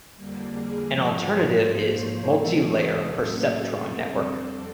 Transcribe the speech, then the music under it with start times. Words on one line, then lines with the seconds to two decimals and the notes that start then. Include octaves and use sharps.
An alternative is "multilayer perceptron network".
0.15 F2 D3 G3 A#3
0.50 G#4
0.86 G#2 F3 G#3 C#5
1.22 C5
1.58 G#2 F3 A#3 C5
1.94 C#5
2.30 E2 C3 E3 G#3 A4
2.66 A4
3.02 A2 F#3 A#3 C#4 A4
3.38 G#4
3.74 F2 D3 G3 C4 A4
4.10 A4